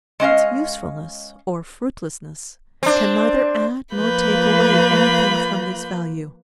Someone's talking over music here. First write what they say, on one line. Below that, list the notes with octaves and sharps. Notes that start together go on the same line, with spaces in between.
Its usefulness or fruitlessness can neither add nor take away anything from this value.
G#3 C#4 D#5 F5
C4 D4
F3 A#3 F4 B4 B5 G6